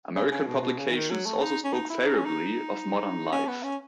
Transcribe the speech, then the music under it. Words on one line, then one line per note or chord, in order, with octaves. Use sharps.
American publications also spoke favourably of "Modern Life".
C#3
C#3
B2
B2
C#3
E3
D#3
F#3
A3
D#4
C#4
D#4
E4
D#4
C#4
D#4
C#4
B3
C#4